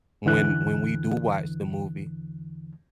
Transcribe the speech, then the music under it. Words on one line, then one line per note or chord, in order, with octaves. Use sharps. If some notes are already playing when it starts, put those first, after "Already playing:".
when when we do watch the movie
E2 D3 E3 F#6